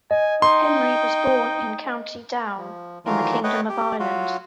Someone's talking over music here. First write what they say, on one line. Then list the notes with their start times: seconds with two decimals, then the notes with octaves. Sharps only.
Henry was born in County Down in the Kingdom of Ireland.
0.11 D#5 G#5
0.42 D#4 G5 C6
2.57 F3
3.06 D#3 E3 F#3 A3 F4 A#4
3.44 A3 B4 C#5 D#5 F#5 G5
3.69 G4
4.00 F#3 F4 F#4